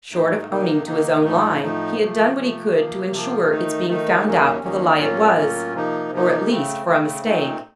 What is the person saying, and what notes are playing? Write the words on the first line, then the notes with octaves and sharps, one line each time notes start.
Short of owning to his own lie, he had done what he could to insure its being found out for the lie it was--or, at least, for a mistake.
A2 A3 D#4
C3 D#3 A#3 D#4
C3 D#3 A#3 D#4
A2 F3 A3 D#4
A2 F3 A3 D#4
C3 F3 A3
C3 F3 A3
C3 F3 A#3
C3 F3 A#3
D#3 A3 D#4
D#3 A3 D#4
D#2 D#3 F#3 A#3 C#4
D#2 D#3 F#3 A#3 C#4
A2 F#3 A#3 C#4 F4
A2 F#3 A#3 C#4 F4
C3 F3 A#3 D#4
C3 F3 A#3 D#4
C#3 A3 C4
C#3 A3 C4
A#2 A3 C4 D#4